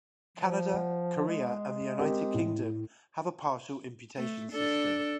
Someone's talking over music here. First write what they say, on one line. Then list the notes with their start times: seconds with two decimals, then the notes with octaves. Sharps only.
Canada, Korea and the United Kingdom have a partial imputation system.
0.38 F3
0.71 F#5
1.28 G#3
1.98 C4 G4 A#4
2.34 A2
4.17 A3
4.52 D4 A4